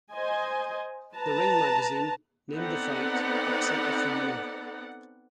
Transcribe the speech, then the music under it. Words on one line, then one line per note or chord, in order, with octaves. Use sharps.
"The Ring" magazine named the fight Upset of the Year.
C5 D#5 G#5
B4 A5 A#5
B3 C4 D#4 A4 D5 F#5